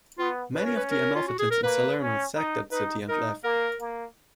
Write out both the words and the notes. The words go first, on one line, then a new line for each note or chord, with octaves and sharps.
Many of the Amalfitans in Salerno sacked that city and left.
B3 F4
C#4 B4
A#4
B4
A#4
F4
F#4
G#4
A#4
A#3 B4
C#4
D#4
D#4 B4
D#4 A#4
A#3 A#4
A#3